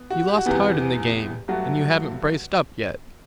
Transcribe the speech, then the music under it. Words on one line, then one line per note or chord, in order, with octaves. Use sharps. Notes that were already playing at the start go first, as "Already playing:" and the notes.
You lost heart in the game, and you haven't braced up yet.
Already playing: B3
F#4
G4
F#4
E2 C3 E3 B3 G4
G2 F#3 A3 F#4